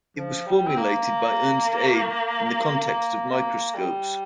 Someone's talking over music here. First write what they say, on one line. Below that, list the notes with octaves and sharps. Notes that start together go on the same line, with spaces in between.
It was formulated by Ernst Abbe in the context of microscopes.
F3
G3
C4
A#3
A#3
A#3
G3